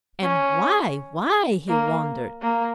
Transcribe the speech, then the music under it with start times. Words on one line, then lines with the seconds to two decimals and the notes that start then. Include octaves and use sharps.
"And why--why?" he wondered.
0.22 C#4
1.68 A#3
2.42 A#3